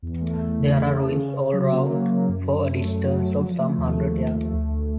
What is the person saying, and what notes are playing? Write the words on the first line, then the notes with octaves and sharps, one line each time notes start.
There are ruins all round for a distance of some hundred yards.
E2
A3
E2
C#3
A3
E3
C#3
C#3
F#3
A#3
F#3
A#3
F#2
F#2
A3
F#3
F#3
F#3
F3
A3
D#2
A3
D#2
A3
D2
D2